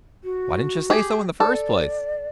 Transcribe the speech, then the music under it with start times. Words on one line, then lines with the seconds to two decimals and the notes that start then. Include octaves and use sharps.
Why didn't you say so in the first place?
0.24 F#4
0.90 G4 G#4
1.40 A4 D5